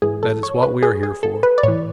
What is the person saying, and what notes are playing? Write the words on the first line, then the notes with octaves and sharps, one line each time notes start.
That is what we are here for.
G#2 E3 G#4
A4
C#5
B4
G#4
G#4
A4
B4
D5
A2 E3 C#5